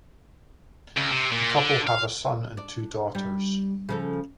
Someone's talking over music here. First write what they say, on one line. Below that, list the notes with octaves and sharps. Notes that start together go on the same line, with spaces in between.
The couple have a son and two daughters.
C#2
C3
A#2
D3
F5
D4
G3
C#3 F3 A4